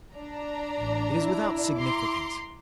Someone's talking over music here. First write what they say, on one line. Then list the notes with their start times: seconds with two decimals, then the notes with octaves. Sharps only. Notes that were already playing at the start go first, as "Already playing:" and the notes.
It is without significance!
0.14 D4 D5 A#5
0.79 A1
1.23 E4
1.75 A#5 C6 D6